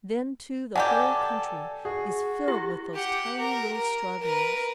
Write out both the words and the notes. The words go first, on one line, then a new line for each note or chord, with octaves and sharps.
Then too the whole country is filled with those tiny little strawberries.
B2 F#3 G4 A4 D5 F#5 G#5
F#4 G#4
E4 G4
G4 F#5
A#4
A#4
A#4 B4